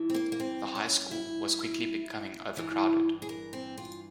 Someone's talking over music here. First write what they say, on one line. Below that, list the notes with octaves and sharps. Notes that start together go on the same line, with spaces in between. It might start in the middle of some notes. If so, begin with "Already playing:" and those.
The Highschool was quickly becoming overcrowded.
Already playing: G2 E3
C4
A#3
A#3
C4
C#4
E4
G2 E3
G#4
A#4
C4
F4